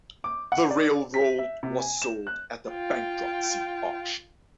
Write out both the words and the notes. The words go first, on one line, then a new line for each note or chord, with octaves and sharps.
The railroad was sold at a bankruptcy auction.
D6
F#5
D5
B6
E5
C3
G#5
E7
F#6
F4 G5